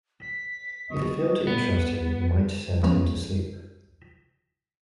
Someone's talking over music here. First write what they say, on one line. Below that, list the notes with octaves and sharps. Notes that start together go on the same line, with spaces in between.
If it failed to interest him, it might send him to sleep.
B6
D3 F#3 B3 D#5 C#6
B3
F3 G#3 B3 C#4